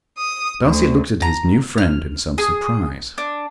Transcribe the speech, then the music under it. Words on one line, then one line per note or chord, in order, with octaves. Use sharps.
Darcy looked at his new friend in some surprise.
D#6
D2
A#5
F6
G#4
D4